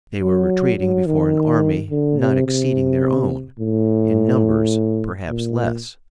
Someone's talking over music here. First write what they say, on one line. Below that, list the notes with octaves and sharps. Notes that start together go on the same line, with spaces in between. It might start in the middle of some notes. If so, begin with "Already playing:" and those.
They were retreating before an army not exceeding their own, in numbers, perhaps less.
F#3
F#3
D#3
D3
C3
C3
A2
A#2